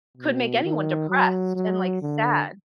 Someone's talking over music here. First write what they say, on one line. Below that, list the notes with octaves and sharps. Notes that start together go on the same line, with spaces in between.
could make anyone depressed, and, like, sad.
B2
D#3
F#3
F#3
D3